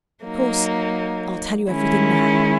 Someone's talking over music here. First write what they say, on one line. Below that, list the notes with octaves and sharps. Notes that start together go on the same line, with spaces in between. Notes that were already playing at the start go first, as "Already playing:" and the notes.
Of course I'll tell you everything now.
F#3 A#3 D#4
D#3 G#3 C#4 E4